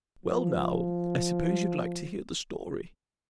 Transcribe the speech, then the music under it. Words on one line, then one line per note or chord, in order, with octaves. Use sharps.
"Well, now, I suppose you'd like to hear the story."
F3